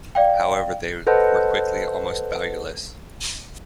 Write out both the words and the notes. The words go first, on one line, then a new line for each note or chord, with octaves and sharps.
However, they were quickly almost valueless.
D5 F5 G5
A4 B4 C5 D#5 F#5 A5